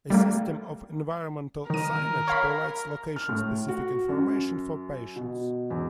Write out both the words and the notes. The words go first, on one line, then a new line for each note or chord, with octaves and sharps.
A system of environmental signage provides location-specific information for patients.
G3 A3 A#3
D#3 A#4 D#7
C#5 F5 B5
F6
A2
F#4
F#2
B2
E2